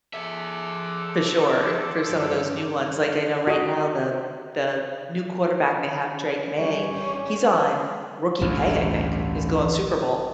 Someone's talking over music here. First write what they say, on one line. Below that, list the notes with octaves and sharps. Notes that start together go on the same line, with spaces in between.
For sure, for some of those new ones, like, I know right now, the the new quarterback they have, Drake Maye, he's on rookie pay, I think. He's going Super Bowl
G#4 A4 C5 D5 E5
G2
F#4 D#5
G3 C#4
A1 D2 G2